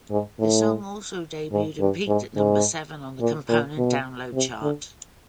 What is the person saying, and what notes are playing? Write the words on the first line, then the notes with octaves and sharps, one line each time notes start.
The song also debuted and peaked at number seven on the component Download Chart.
G#2
A2
G#2
G2
G#2
G#2
A#2
A#2
B2
C3
D3